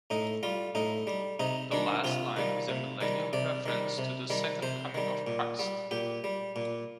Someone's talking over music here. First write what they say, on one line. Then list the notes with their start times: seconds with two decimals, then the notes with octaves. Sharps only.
The last line is a millennial reference to the second coming of Christ.
0.10 A2 D#4
0.43 G3 F4
0.75 A2 D#4
1.07 G3
1.40 C3 D#4
1.72 D#3 G3 D4
2.04 C3 F4
2.37 D#3 G3
2.69 C3
3.01 D#3 G3
3.33 C3 D5
3.66 D#3 G3
3.98 C3
4.30 D#3 G3
4.62 C3 C5
4.94 D#3 G3
5.27 A#2
5.59 G3
5.91 A#2 G4
6.24 G3
6.56 A#2